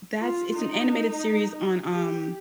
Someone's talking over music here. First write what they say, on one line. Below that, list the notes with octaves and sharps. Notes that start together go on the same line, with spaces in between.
That's it's an animated series on, um,
F4
D#4
G4